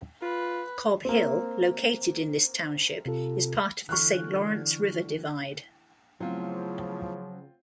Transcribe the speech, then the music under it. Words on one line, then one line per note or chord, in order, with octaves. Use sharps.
Cobb Hill, located in this township, is part of the Saint Lawrence River Divide.
F4 B4
A#3 C4
C3 F4 A4
D3 E3 C#6 F6 F#6
C#3 F3 F#3 A3 B3 C4 E4 F4